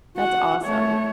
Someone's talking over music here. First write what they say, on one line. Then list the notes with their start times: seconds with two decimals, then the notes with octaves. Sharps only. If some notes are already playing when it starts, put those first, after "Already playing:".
That's awesome.
0.18 F#4 F#5
0.64 A3 C#5